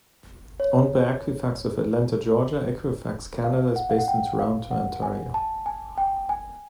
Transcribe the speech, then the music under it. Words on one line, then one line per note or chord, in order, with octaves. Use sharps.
Owned by Equifax of Atlanta, Georgia, Equifax Canada is based in Toronto, Ontario.
C#5
F5
F#5
F5
F#5
G5
F5
F#5
G#5
A5
G#5
G5
G#5